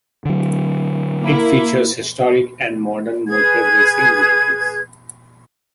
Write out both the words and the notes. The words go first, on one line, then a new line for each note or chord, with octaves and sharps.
It features historic and modern motor-racing vehicles.
D3 F#3
A#3 E4
G#4 B4 G#6